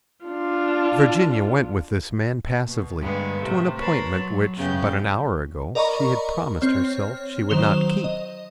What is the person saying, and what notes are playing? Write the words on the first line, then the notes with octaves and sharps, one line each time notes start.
Virginia went with this man passively--to an appointment which, but an hour ago, she had promised herself she would not keep.
D4 F4
B2
G2 D3 G3 G#3 A#3 B3
A2 C3 A3
A#4 B4 C#5 A5 B5 C6
F#3
F#2 C#3 B3 G4 G6
A#4 D5 D#5 A#5 B5 C#6
C4 C#5 F6
D#3 F#3 C5 E7 F7 G7
D#5